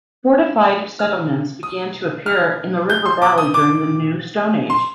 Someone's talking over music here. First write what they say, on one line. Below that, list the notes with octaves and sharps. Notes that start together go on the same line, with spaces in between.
Fortified settlements began to appear in the river valley during the New Stone Age.
F6
D#6
F6
G6
C6
D6
D#6
D6
C6